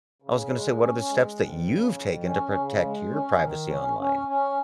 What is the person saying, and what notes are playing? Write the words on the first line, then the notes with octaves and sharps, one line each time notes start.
I was gonna say, what are the steps that you've taken to protect your privacy online?
C#3
G#3
C#4
G#3
F2
C#3
F2
C#4
C#3
G#3
C#4
D#3
C#4
C#4
C#4